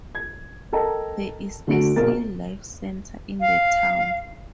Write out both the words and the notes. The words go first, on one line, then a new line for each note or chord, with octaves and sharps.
There is a Sea Life Centre in the town.
G#6
A4 A#4 D#5 G5 A5 A#5
D3 A3 F#4 D7
A#1 B2 A#3 A#4 A6
F5